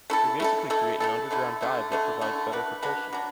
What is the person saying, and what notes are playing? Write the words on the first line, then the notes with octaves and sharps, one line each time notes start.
They basically create an underground dive that provides better propulsion.
A3 E4 A4
A3 E4 A4
A3 E4 A4
A3 E4 A4
D3 A3 E4
D3 A3 E4
D3 A3 E4
D3 A3 E4
F#3 D4 B4
F#3 D4 B4
F#3 D4